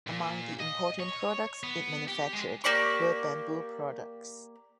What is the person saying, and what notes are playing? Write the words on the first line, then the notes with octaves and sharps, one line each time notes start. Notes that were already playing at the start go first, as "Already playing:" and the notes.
Among the important products it manufactured were bamboo products.
A#2
D#5
C#5
B3
G4
G#3
A#3 G4 D5 C#6